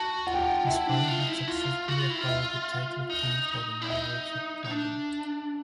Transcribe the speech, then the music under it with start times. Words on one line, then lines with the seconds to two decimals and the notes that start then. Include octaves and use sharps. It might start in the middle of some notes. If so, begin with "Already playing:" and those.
His father had successfully acquired the title King for the margraves of Brandenburg.
Already playing: F#4 A5
0.26 F4 F#5
0.34 G5
0.42 F#5
0.67 E4 E5
0.87 D4
1.08 F4
1.19 D#4
1.27 E4
1.48 F4
1.88 F#4
1.99 F4
2.10 E4
2.21 F4
2.28 E5
3.10 D#4
3.82 E4
3.90 D#4 E5
4.65 D#4
4.71 D4